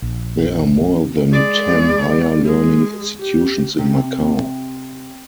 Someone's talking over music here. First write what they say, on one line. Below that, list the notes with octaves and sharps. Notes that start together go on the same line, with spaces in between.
There are more than ten higher-learning institutions in Macau.
A#1
G#3 D5
G#3
G4
C3